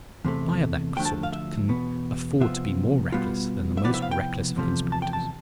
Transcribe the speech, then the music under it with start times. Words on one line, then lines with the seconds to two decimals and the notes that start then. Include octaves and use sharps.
A spy of that sort can afford to be more reckless than the most reckless of conspirators.
0.25 E2 C3 A3
0.96 D2 D3 F3 A3 D4 G5
1.05 A5
1.23 F5
1.32 E5
1.68 E2 B2 B3
2.40 C3 F3 B3 F4 E5
3.12 B2 G3 B3 F4
3.77 E5
3.84 C3 F3 B3 E4 D5
3.94 E5
4.02 F5
4.11 G5
4.56 E2 C3 F3 A3
4.92 A5
5.02 G5
5.13 A5